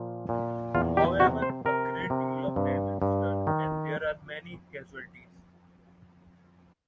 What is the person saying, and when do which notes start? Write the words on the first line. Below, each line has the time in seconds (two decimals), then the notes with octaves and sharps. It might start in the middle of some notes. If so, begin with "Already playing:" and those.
However, a great deal of damage is done and there are many casualties.
Already playing: A#2 F3
0.29 A#2
0.75 E2 F4
0.97 G4
1.20 C3 F#4
1.42 C5
1.65 C3 A#4
2.10 C3
2.56 G2
3.02 G2
3.47 D#3